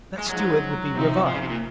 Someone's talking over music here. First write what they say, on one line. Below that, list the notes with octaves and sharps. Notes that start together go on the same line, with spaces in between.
That steward would be revived.
G#3
F3 F#3 G#3 D#4
C3 F3 C4 D#4
F3
C#3
C3
A#2